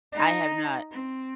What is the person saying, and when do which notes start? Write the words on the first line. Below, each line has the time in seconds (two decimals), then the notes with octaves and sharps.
I have not.
0.13 D#4
0.91 C4